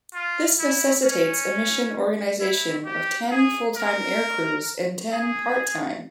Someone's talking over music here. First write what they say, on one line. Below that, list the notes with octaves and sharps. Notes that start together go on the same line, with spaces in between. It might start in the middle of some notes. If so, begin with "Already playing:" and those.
This necessitates a mission organization of ten full-time aircrews and ten part-time.
F4
E4
C#4
E4
G4
G#4
A#4
G#4